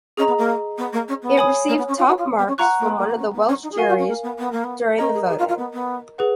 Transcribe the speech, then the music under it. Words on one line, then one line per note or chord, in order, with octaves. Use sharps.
It received top marks from one of the Welsh juries during the voting.
C#4 G#4 D#5 A#5
B3
A#3
B3
A#3
C#4
B3
C#5 G#5 B5 D#6
A#3
B3
C#4
F4
F#4
F4
B3
C#4
F4 F#5 A#5 C#6 F#6
A#3
B3
A#3
B3
C#4
B3
C#4
D#4
G#4
F#4 A#4 F5 G#5
F#4
C#4
A#3
B3
B3
A#3
B3
C#4 A#4 D#5 A#5
G#4
G#4
F4
F4
B3
B3
G#4 B4 F#5